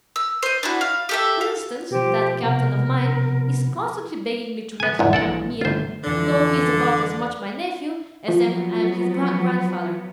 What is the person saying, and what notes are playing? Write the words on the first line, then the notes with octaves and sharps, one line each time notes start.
For instance, that captain of mine is constantly begging me to let him have a meal--though he is about as much my nephew as I am his grandfather.
E6
C5 D#5
D4 E4 F#4
F5
G4 A4 E5
F5
B2 F3 G4 C5
C3 B3 A#4
B3 G#5
E2 G#2 E3
A#1 E3 A4 D5 F#5
G1 A3 F4 C5
F2 D3 E3 D5
F3 F#3 B3